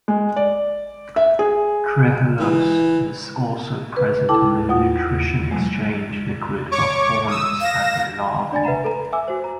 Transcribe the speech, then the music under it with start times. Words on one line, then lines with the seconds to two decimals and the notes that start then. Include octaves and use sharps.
Trehalose is also present in the nutrition exchange liquid of hornets and their larvae.
0.08 G#3
0.36 D5
1.16 E5
1.39 G#4
2.39 E3
3.97 B4
4.29 E4 A4 G5 A5 D6
4.69 D#2 F4 F#5 D#6
5.51 B2 E3 F#3 G#3 A3
6.72 C#5 C#6 D6
7.28 D#6 E6
7.61 F5 A#6 E7
8.52 D4 D5 G5 G#5 A6
8.64 B4 E5 F#5 A#5 B5
8.84 A4 B4 A#5
9.12 E5 G#5 D6 E6
9.28 F#4 C5
9.44 A#5